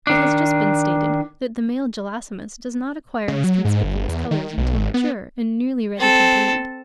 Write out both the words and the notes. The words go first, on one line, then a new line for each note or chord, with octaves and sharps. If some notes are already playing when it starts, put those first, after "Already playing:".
It has just been stated that the male Gelasimus does not acquire his conspicuous colours until mature and nearly ready to breed.
D#3 D4
C#3
F#3
G#2
G1
E2
D#3
B1
G#1
B3
C4 A4